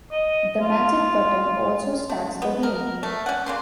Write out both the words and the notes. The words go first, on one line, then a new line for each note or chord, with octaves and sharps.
The Magic button also starts the game.
D#5
F4
A3
B3
A#4
A3
C#4 F#5
C#3 A#3 C6